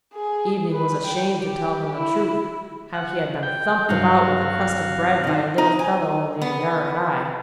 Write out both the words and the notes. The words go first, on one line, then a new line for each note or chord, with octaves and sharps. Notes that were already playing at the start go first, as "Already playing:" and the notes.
Evening was ashamed to tell them the truth--how he had been thumped about with a crust of bread by a little fellow only a yard high.
G#4
B4
G5
G4
E4
F#5
G5
G2 C3 F#3 F#4 F5
D#3 D#5
D#4
G#5
B3